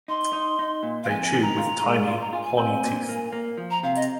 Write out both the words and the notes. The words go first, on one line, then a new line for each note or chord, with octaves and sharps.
They chew with tiny, hornyteeth.
D#4 C6
D#4
D#4
A#2
F5
F2 G#5
G#5
D#3
A#5
F4
G#3
F4 C6
A#5
F4 G#5
G#5
C4 G#5
A#2
A#3
A#3
F3
A#5
C3 F5
D#5